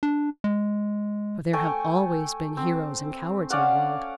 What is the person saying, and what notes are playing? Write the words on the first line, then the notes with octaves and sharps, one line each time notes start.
For there have always been heroes and cowards in the world.
D4
G#3
A3 G5 G#5 C#6
C4
C#4 D5 F5 F#5